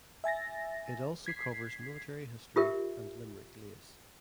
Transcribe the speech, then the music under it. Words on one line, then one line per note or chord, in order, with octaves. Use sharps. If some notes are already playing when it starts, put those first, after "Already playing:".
It also covers military history and Limerick lace.
E5 G#5 A6 A#6
G#6 B6 C7
F4 G4 A#4 E5